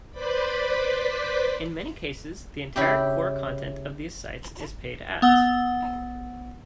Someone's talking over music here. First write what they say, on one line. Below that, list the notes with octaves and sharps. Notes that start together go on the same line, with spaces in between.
In many cases, the entire core content of these sites is paid ads.
B4 C5 D5 B5
C#3 E4 G4
B3 F#5 E6 G7